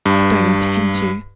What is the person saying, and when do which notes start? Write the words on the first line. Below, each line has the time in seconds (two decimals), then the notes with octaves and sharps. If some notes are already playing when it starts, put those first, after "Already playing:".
'Don't intend to.
0.06 G2